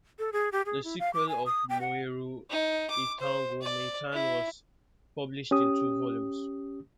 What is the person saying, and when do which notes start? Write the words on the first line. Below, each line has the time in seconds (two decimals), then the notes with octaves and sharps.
The sequel of "Moeru Eitango Moetan" was published in two volumes.
0.19 A4
0.33 G#4
0.52 G4
0.66 G#4
0.84 E4
0.99 F5
1.14 D6
1.29 G#5
1.46 D#6
1.69 G5
1.81 F#5
2.50 D#4
2.90 D6
3.20 C5
3.62 D5
4.13 E4
5.51 C#4 G4 D#6